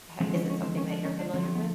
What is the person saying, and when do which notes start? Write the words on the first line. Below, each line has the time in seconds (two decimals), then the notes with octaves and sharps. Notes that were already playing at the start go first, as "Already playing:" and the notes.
ha is it something that you're familiar with?
0.20 D3 F3 G#3 C4
0.35 C#4
0.50 C#4
0.64 C4
0.77 C#4
0.92 D4
1.05 C#4
1.19 D4
1.33 D3 F3 A3 C4
1.55 B3